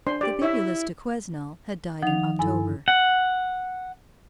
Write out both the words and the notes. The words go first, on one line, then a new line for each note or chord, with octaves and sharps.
The bibulous du Quesnel had died in October.
D4 C5 C6
G4 D5
E4 C#5 E5
D#3 F3 D#4 F#5 F7
G2 E4 A4 G#5
F#5